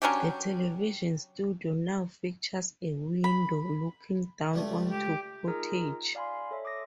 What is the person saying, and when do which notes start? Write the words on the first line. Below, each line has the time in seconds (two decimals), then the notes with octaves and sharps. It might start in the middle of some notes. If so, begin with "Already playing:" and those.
The television studio now features a window looking down onto Portage.
0.02 F#3 C#4 D4 G4
3.24 B5
4.53 C#2 G3 A3
4.91 G4
5.47 D#4 F4 G#4 A#4 A#5
6.15 D5 F5 G#5 B5 C6
6.51 A4 C#5 E5
6.65 D6 D#6 A#6